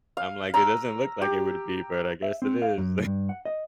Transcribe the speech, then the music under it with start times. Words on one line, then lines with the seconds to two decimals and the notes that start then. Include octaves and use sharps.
I'm like, it doesn't look like, it would be, but I guess it is.
0.17 F5
0.54 A#5 E6
1.22 G4
2.22 E5
2.42 C4
2.62 F5
2.78 F#2
3.06 G2
3.29 F#5
3.45 D#5